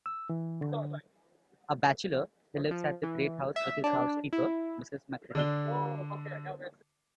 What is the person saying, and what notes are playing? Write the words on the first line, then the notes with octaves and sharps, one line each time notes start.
A bachelor, he lives at the great house with his housekeeper, Mrs Macready.
E6
E3
D3
F3
E3
E5
D4
E4
D3 D4 G7